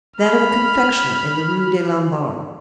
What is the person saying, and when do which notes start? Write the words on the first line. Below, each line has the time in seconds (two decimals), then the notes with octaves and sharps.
"That of a confectioner, in the Rue des Lombards."
0.18 B5 F6